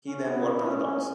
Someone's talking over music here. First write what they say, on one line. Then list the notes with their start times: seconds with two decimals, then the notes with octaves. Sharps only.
He then worked on the docks.
0.07 C#4
0.26 B3
0.46 E4
0.65 C#4
0.84 C#4